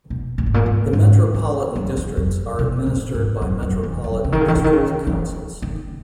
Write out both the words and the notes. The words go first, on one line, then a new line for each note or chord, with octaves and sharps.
The metropolitan districts are administered by metropolitan district councils.
B2
A#2
G#2
A#2
G#2
G#2
E2
F#2
E2
F#2
B2
A#2
G#2
F#2
F#2
E2
F#2
C#3
D#3
C#3
D#3
C#3
D#3
C#3
E3
D#3